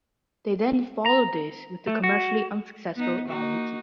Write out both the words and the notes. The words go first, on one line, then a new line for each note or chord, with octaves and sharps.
They then followed this with the commercially unsuccessful Valmiki.
A#5
A3
F#4
B3 D#4
A#3 D#4 F#4